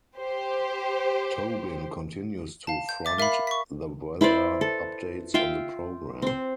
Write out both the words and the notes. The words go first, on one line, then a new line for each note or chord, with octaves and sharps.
Tobin continues to front the weather updates on the programme.
G4 C5
F5 A5
G6
E5 D6 A6
A#4 E5 F5 B5
F5
C#6 B6
E4 B4 C5 D5
A4
F4 E5 F5 G5
C4 C5